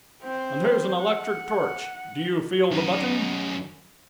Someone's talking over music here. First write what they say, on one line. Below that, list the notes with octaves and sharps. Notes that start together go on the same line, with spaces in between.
"And here's an electric torch. Do you feel the button?"
C4 C5
F#5
F#2 D#4